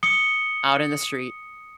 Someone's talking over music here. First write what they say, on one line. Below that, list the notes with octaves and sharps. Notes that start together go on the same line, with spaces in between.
out in the street,
D#6 C#7 G7